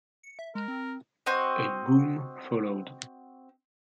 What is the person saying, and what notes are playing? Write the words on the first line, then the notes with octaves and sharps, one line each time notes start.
A boom followed.
C#7
E5
G#3 A#4
C4
C4 F#4 D#5